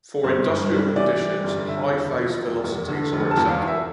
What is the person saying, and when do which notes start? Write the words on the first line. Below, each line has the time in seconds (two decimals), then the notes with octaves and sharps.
For industrial conditions, high face velocities are acceptable.
0.24 G1 C5
0.48 G2
0.71 G3
0.96 E3 D5
1.20 G3
1.44 G1
1.68 D3 E5
1.93 E2
2.16 F3
2.40 F1
2.64 E2
2.88 D3
3.13 F1
3.31 A5
3.37 E2
3.49 F5
3.61 E3
3.67 E5